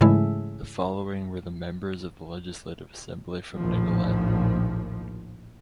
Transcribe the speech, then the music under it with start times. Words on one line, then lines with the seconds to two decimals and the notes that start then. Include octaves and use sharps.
The following were the members of the Legislative Assembly from Nicolet.
0.01 G#2 C#3 E3 G#3 A3 E4
3.56 A#1 D#2 A2 F3